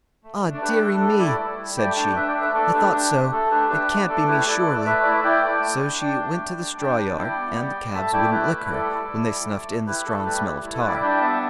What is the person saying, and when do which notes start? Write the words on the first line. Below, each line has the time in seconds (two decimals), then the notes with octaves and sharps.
'Ah, deary me', said she, 'I thought so; it can't be me surely.' So she went to the straw-yard, and the calves wouldn't lick her, when they snuffed in the strong smell of tar.
0.24 A3
0.42 D4
0.54 D5
0.61 D4 G4 B4
0.81 A3 A4
1.00 G3 A4
1.11 B4
1.19 E4 A4 D5
1.39 E4
1.58 G3
1.77 A3 D5 G5
1.96 D4 D5 G5
2.16 D4 B4 E5
2.28 D5 G5
2.35 A3
2.41 B4 E5
2.54 A3 A4 D5
2.73 D4 G4 B4
2.92 D4 G4
3.12 A3
3.31 A3 A4
3.51 D4 G4 B4
3.70 D4 G4 B4
3.89 A3
4.08 A3 A4 D5
4.27 E4 G4 B4
4.47 E4 A4 D5
4.59 A4
4.67 A3 B4
4.77 D5
4.85 A3 B4 E5
5.03 E4 D5
5.14 E5
5.24 E4 D5 G5
5.43 A3 D5 G5
5.62 A3
5.82 D4
6.01 D4 D5 G5
6.21 A3
6.39 G3
6.59 D4
6.78 D4 D5 G5
6.97 G3
7.17 E4 D5 G5
7.36 B3
7.55 G3 D5 G5
7.74 G3
7.94 A3 E5 A5
8.13 E4 D5 G5
8.32 E4 B4 E5
8.52 A3
8.66 B4
8.71 G3 A4 D5
8.90 E4
9.09 E4
9.29 G3
9.48 A3
9.67 E4
9.86 E4 G4 B4
10.06 A3 A4
10.25 G3 G4 B4
10.44 E4
10.64 E4
10.73 A4
10.80 B4
10.83 G3 D5
10.95 E5
11.02 D4 D5 G5
11.21 B3 E5 A5